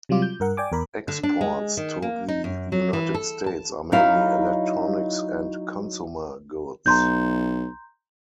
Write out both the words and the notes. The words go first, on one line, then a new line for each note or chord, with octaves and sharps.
Exports to the United States are mainly electronics and consumer goods.
C3 F#3 G3 F4 D6
G6
G2 A#4 F#5
D5 G5 G#5 D6
E2 A#4 B5
D3
D4
G#3
D#3
A#3
D#4
F#2
F#3
E3
A4
A5
F#3 D#4 E4 F5
B1 A#5 C6 G6